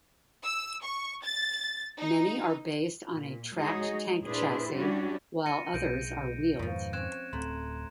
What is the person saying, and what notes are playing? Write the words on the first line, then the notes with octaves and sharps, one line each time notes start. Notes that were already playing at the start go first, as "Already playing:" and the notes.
Many are based on a tracked tank chassis, while others are wheeled.
E6
C#6
A6
D#4
A#2
G#3 D#4 F#4 G#4 C#5 D#5
G#3
A#2 D4 E4 G#4 B4 C5
G3 C#4 D4 E4 F#4 G4
F4 A#6 C#7 D#7
B1 G#3 G6 D7 D#7
F2 G#2 B2 D#3 F3
C4 C#4 F#6 G#6 E7
D1 A3 C4 A#5 C6